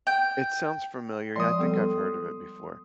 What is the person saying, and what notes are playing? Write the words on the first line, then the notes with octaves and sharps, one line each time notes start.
It sounds familiar, yeah, I think I've heard of it before.
G5
F3 G#3 D5 C6 D#6
G3 B3 A4